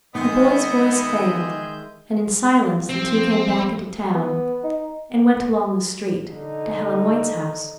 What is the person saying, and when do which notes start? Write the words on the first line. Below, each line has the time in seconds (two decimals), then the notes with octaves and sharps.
The boy's voice failed and in silence the two came back into town and went along the street to Helen White's house.
0.15 D#3 G#3 B3 D#4 G#4 D#5 E5 G6
2.89 F3 C4
4.14 B3
4.63 D#4
6.30 D3 D#4